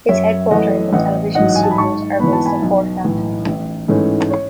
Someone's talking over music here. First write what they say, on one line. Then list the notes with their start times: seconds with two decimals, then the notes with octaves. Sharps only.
Its headquarters and television studios are based in Portland.
0.09 F#2 C#5 E5
0.51 E3 A3 D#5 F#5
0.93 A1 D#5 F#5
1.35 G#2 F#3 D#5 F#5
1.49 F#5
1.56 G#5
1.63 A5
1.71 B5
1.78 G#2 A5 C#6
2.20 E3 B3 B5
2.33 A5
2.46 G#5 B5
2.62 B1
3.05 A2 E3
3.46 A1
3.88 G#2 E3 A3 C#4
4.30 C#5